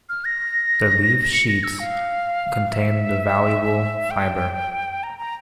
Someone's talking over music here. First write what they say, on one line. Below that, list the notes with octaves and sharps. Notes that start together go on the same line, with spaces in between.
The leaf sheaths contain the valuable fiber.
F6
A#6
C#7
A#6
E6
F5
E5
G5
A#5
A#5